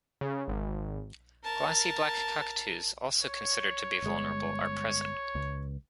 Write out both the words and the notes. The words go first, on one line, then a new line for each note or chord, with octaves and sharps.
Glossy black cockatoos, also considered to be vulnerable, are present.
C#3
G#1
A#4 A5
C#5
G1 G#3
C#2